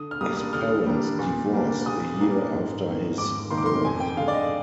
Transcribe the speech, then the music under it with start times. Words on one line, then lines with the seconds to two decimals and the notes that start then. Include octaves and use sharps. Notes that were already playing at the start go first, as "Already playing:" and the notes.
His parents divorced a year after his birth.
Already playing: D3 D#6
0.11 F6
0.21 G3 A#3 D4 D#6
0.37 D#6
0.53 D3 F6
0.86 G3 A#3 D4
1.19 A#2
1.53 G3 A#3 D4
1.86 A#2 D#6
2.18 G3 A#3 D4
2.52 G#2
2.85 D#3 A#3
3.18 G#2 D6
3.51 D#3 A#3 C6
3.58 D6
3.66 C6
3.84 F2 G#5
4.00 G5
4.17 D3 G#3 F5
4.28 D5
4.34 D#5